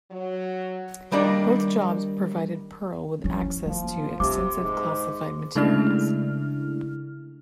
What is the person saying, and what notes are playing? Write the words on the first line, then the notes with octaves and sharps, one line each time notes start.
Both jobs provided Perl with access to extensive classified materials.
F#3
D#3 G3 A#3 D4 D#4 D5
F3 C#4 E4
F3 A#3
C3 D4 D6
G#2
C#3 G#3 A3 D4 E4 F6